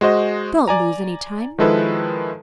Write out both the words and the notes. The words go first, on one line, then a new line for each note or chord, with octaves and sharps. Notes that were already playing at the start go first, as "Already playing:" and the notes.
Don't lose any time.
G#3 F#4 C5 D#5
D5 G#5 A#5
D#3 F3 G#3 E4 A4 B4